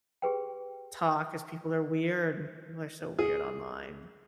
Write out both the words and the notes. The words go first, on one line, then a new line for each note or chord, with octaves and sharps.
talk 'cause people are weird and people are so weird online.
G4 G#4 B4 G5
G#4